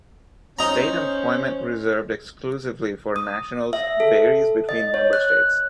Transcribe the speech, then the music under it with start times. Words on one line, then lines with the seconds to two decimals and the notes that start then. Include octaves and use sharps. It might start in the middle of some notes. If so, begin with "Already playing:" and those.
State employment reserved exclusively for nationals varies between member states.
0.59 C#4 D#4 C5 A#5
3.16 D#6
3.73 E5
4.00 A4
4.69 D#5
4.94 C#5
5.13 F#6